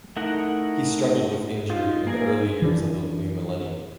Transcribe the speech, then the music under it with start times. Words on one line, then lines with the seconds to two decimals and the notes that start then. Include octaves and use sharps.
He struggled with injury in the early years of the new millennium.
0.16 A3 D#4 E4 A#4 F#5
1.70 D#4 F4
2.07 A#3 G#4 A#4 G#5
2.62 E3 D4